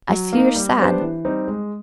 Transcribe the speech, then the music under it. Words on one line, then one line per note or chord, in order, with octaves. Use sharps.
I see you're sad....
F#3
A#3 D#4
G3
B3 D4 G4 C5
E3
G3 C4 D#4
G#3